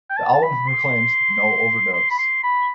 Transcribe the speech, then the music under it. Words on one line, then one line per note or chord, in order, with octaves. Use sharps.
The album proclaims: No overdubs.
G5
A5
A5
B5
C6
C6
B5
C6
B5